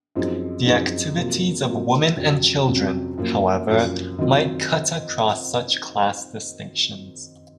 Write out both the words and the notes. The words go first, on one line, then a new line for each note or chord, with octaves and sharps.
The activities of women and children, however, might cut across such class distinctions.
F#2 F3 C4 D#4 G#4
F#2 F3 C4 D#4 G#4
C3 F#3 A#3 F4
C3 F#3 A#3 F4
F2 C3 F#3 C#4
F2 C3 F#3 C#4
F#2 F3 A#3
F#2 F3 A#3
D#3 F#3 C4 F4 C5